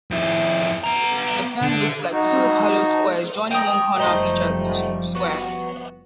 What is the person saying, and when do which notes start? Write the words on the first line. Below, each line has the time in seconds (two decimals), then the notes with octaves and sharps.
The plan looks like two hollow squares joining one corner of each square.
0.11 F2 E4
0.84 B3 A#5
1.62 D3
2.13 D#4 F#4
3.51 G5 A#5 D#6
3.98 F#1 F3 G3 A3 D#4 C5
5.15 B3 F#4